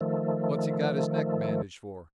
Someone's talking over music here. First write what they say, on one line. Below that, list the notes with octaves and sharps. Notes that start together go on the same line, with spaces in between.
What's he got his neck bandaged for?
D#3 F3 A3